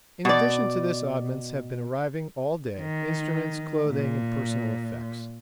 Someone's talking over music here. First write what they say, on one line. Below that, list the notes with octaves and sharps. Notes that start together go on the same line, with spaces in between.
In addition to this oddments have been arriving all day--instruments, clothing, and personal effects.
B2 D5
D#3
A#2